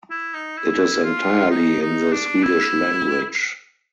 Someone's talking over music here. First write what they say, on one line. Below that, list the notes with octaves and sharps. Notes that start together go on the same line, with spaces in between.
It is entirely in the Swedish language.
E4
D#4
E4
F4
D#4
D#4
D4
E4